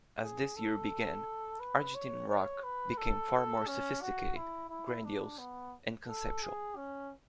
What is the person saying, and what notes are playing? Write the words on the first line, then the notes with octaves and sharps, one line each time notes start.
As this year began, Argentine rock became far more sophisticated, grandiose, and conceptual.
G#4
A4
B4
C#5
C#5
B4
A4
C#4
F#4
E4
E4
D4
B3
A4
G#4
C#4